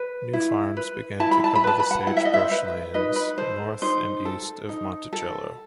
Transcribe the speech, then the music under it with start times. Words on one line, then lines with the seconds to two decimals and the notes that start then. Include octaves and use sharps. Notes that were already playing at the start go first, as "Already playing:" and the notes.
New farms began to cover the sagebrush lands north and east of Monticello.
Already playing: B4
0.33 E4
0.77 B4
1.20 E4 A5
1.31 B5
1.44 A5
1.55 B5
1.64 B4 A5
1.80 B5
1.91 F#5 A5
2.07 E4 F#5
2.17 E5
2.25 D#5
2.34 C5 E5
2.51 B4
2.94 D#4 B4 D#5
3.16 B4
3.38 A4 C5
3.82 D#4 C5
4.25 A4
4.69 D#4
5.13 A4